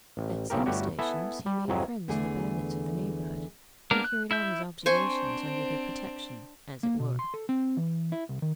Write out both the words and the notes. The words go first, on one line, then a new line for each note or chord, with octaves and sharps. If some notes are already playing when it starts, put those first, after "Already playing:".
At some stations he made friends of the bandits of the neighborhood, and carried on his observations under their protection, as it were.
A1
B1 A2 C#3 C4 G4 A#4
G1 G3 A3 F#4 G4 C#5
B3 E4 A4 E5 G#5
G3
C2 F2 G#2 F#3 G#5
E2 D3 E3 A3 G#4
A#3 B3 D4 A#4
F#6
E4 E5 G6
C4 D4 C5 G#5 C#6
A#3
B2
C6
A4
C4
E3
E4
C2
D#3